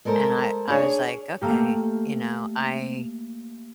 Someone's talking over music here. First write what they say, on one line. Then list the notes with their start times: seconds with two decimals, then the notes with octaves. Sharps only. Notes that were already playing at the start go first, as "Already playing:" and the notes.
And I I was, like, "Okay, you know, I"
0.05 G#3 A4 A#4 C5
0.68 C#4 D4 G#4 C#5
1.41 A3 A#3 G4